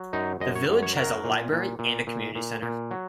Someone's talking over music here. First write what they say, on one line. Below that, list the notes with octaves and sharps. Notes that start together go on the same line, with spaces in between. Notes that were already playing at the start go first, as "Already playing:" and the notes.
The village has a library and a community centre.
Already playing: F#3
F#2 D#4
F#2 D#5
C#5
F#2
C#5
F#3 A#4
A#2
A#2
A#2
A#2
A#2
A#2
F#3